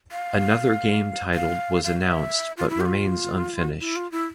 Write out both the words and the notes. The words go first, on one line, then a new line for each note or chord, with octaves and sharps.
Another game titled was announced but remains unfinished.
F5
F5
F5
F5
E5
F4
E4
G4
F4
E4
F4
E4